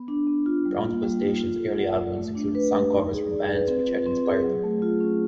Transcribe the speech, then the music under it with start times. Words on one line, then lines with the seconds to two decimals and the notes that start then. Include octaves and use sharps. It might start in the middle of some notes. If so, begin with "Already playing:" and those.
Brownsville Station's early albums included song covers from bands which had inspired them.
Already playing: B3
0.08 D4
0.27 B3
0.46 F4
0.65 G3
0.84 A#3
1.03 G3
1.22 D#4
1.40 F4
1.59 A4
1.78 F#5
1.98 D5
2.16 A3
2.35 D4
2.55 B4
2.73 G4
2.92 D#4
3.12 G#4
3.31 D5
3.49 B4
3.68 C4
3.87 F4
4.06 C4
4.26 G#4
4.43 F#3
4.63 A3
4.82 F4
5.00 C#4